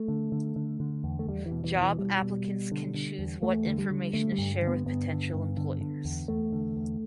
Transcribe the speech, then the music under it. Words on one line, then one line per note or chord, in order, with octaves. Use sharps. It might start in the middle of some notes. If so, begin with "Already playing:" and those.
Job applicants can choose what information to share with potential employers.
Already playing: A3
D3
D3
D3
D3
E2
A3
E2 G3
E3
B2
E3
B2
E3
B2 G3
B2
B2
D3
D3
E2
E2 A3
D3
G3
D3
D3 A3
G3
G2
D3
B3
G2 B3
D3
G2
D3
D3
E2
E2 A3
D3
E2